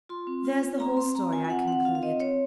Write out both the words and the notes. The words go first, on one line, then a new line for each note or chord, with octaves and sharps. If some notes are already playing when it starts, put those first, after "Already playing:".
"There's the whole story," I concluded.
F4 C6
C4
F4
C4
C4 A#5
C4 C6
C4 A#5
F4 G#5
G#5
C4 F#5
C4 F#5
F4 F5
F5
C4 D#5
C4 C#5